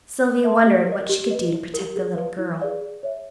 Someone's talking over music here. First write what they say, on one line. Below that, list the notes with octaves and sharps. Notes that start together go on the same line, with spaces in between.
Sylvia wondered what she could do to protect the little girl.
C5
E5 A5 C6
G4
A#4 D#5
G4
B4 D#5
E4
G4 A#4
G#4
B4 D5 F5
E4
G#4 B4 D5 F5
G#4
C#5 E5